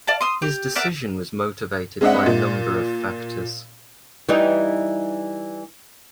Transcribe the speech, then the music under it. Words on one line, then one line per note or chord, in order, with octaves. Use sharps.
His decision was motivated by a number of factors.
D5 F5 A5
C6 D#6 E6
G4
A#4 D5 E5 F#5
G#3 C4 D4 D#5 E5 F#5
A#2
E3 G3 D#4